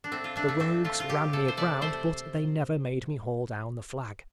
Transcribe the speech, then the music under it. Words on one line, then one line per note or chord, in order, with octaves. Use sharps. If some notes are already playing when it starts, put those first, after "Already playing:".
The rogues ran me aground, but they never made me haul down the flag.
D4
A3 C4
F4
A3 D4
A3
A3 C4
A3 F4
F4
C3 G4
C3 A4
C5
A3 D5
A3 C5